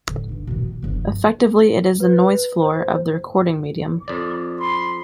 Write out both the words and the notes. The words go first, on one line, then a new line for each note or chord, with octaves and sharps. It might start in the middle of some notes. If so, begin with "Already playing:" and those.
Effectively it is the noise floor of the recording medium.
A1 D3
G2 D#4
B2 D#3
C2
G1 D3
F3
B4
C5
F2 D5
B5 C6